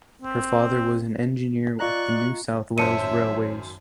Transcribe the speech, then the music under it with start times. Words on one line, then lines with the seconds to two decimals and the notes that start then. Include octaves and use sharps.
Her father was an engineer with the New South Wales railways.
0.22 C4
1.80 F4 D5 D#5 A#5 C#6 F#6
2.78 G#1 F#2 C5 C#5 E5 A5 C#7 D#7